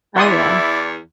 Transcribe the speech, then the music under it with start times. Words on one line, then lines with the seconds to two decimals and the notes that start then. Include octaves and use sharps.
Oh, yeah.
0.16 E2 E4 D5 F#5 C6 D#6